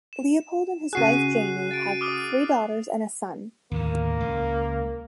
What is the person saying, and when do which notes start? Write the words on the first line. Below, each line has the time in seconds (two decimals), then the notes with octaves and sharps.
Leopold and his wife Jamie have three daughters and a son.
0.13 E7
0.93 C#3 F#4 G#4 F#6 C7 D#7
1.71 A6 D7
2.01 D6 D#6 F6
3.71 D#2 A2 D3 A#3
4.20 C#2